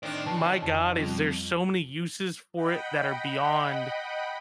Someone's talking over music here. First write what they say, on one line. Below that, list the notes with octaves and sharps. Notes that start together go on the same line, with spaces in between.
my god, is there's so many uses for it that are beyond,
A2 D#3 C4 D4 D5
C#3 B4 G5 A5
F2 A5
F2 G3 F4
D#5 F#5 G5 B5